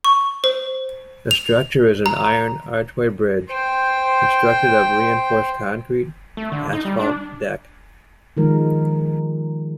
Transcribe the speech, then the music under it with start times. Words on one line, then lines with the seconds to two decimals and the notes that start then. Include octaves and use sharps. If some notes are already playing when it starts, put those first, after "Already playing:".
The structure is an iron, archway bridge, constructed of reinforced concrete, asphalt deck.
0.05 C#6
0.44 C5
1.31 F7
2.06 A#5
3.49 C5 G5
6.37 A3
6.52 D3
6.73 D#4
6.85 G3
6.99 D4
8.37 D#3 F3 G#3 A#4